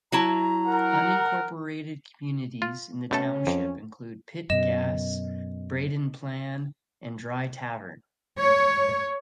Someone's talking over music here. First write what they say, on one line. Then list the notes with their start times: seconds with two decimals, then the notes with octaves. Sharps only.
Unincorporated communities in the township include Pitt Gas, Braden Plan, and Dry Tavern.
0.12 F#3 E4 A5 A#5
0.66 A#4 F#5
2.62 F4
3.11 B2 A3 C#4 A4
3.47 F2
4.50 F#2 B2 D#5 E7
8.38 C#5